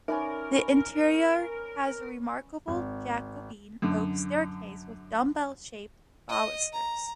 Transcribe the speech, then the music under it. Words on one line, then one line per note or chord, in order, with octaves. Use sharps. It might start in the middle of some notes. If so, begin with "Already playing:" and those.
The interior has a remarkable Jacobean oak staircase with dumbbell-shaped balusters.
C#4 D#4 A#4 B4 D5 E5
G#1
F#2 D3
D#5
A#5